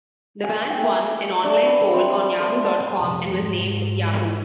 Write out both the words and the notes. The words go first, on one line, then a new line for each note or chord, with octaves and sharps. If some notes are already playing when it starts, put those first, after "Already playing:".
The band won an online poll on Yahoo dot com and was named Yahoo!
G#5
G5
E5
D4
B4
C4
C5
A5
F1
G#2